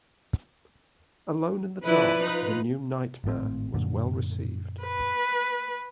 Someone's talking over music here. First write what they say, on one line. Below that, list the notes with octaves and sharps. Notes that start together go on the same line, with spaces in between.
"Alone in the Dark: The New Nightmare" was well received.
F3 E4 B4 D5
D#4 F4
G#1 A2 C4
F#2 A#2 D3
B4